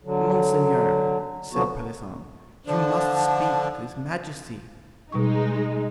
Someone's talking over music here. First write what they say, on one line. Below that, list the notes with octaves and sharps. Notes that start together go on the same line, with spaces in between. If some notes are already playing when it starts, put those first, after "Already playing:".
"Monseigneur," said Pelisson, "you must speak to his majesty."
D3 F#3
D2 D3 F3 F#3 B3 F#4
D3 F3 D4
B2 G3 G#3 D#4 C#6